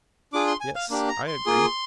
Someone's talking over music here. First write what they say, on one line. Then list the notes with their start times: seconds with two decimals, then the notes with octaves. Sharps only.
Yes, I agree.
0.33 D4 F4 G#4 D6
0.47 C6
0.61 G#5
0.75 F5
0.90 A#3 D4 G4
1.09 A#5
1.28 C6
1.46 A#3 F4 G#4